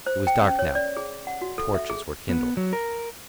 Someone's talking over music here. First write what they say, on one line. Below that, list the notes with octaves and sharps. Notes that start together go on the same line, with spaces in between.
It was dark now, and torches were kindled.
C5
G5
C#4
C#5
D5
G#4
F#5
F#4
A4
E5
G#4
B3
F#3
A#4